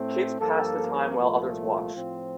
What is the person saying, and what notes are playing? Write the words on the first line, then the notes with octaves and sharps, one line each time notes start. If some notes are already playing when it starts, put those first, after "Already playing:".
Kids pass the time while others watch.
Already playing: A2 A3 C4
G2 F3 A#3 A4
C2 A#2 F3 A3 F4
A2 F3 C4